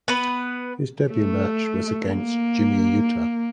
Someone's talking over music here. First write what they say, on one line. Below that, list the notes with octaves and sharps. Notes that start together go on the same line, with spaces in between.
His debut match was against Jimmy Yuta.
B3 B4
A3
A#3